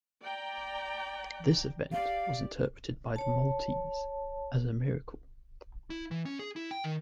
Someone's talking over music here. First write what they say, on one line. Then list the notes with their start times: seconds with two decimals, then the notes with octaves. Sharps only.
This event was interpreted by the Maltese as a miracle.
0.22 D5 G5 A#5
1.92 G4 D5 F5
3.16 C#5 A5
5.90 E4
6.11 E3
6.25 C#4
6.39 G#4
6.56 E4
6.71 G5
6.84 D#3